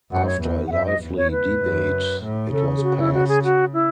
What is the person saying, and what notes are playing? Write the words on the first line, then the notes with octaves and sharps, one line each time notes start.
After a lively debate, it was passed.
F#2 F#5
C#5
E2
F#5
F#2 E5
D#5
E2
C#5
B4
F#2
A2
C#3 A4
G#4
F#4
E4
F#4
G#4
F#4
E4